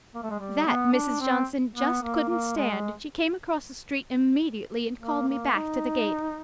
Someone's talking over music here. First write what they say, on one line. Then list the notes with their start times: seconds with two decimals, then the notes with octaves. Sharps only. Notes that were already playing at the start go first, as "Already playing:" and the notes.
That, Mrs. Johnson just couldn't stand, and she came across the street immediately and called me back to the gate.
0.15 A#3
0.23 A3
0.30 G#3
0.39 G3
0.66 B3
0.93 D4
1.21 C4
1.75 B3
2.02 A#3
2.29 A#3
2.56 G#3
5.01 A#3
5.28 A#3
5.55 D#4